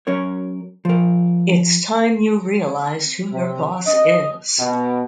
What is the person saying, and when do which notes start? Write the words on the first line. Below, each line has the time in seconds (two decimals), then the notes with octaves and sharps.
It’s time you realized who your boss is.
0.07 F#3 C#4 A#4 C#5
0.85 F3 A#4
3.32 C3
3.86 D#5
4.59 B2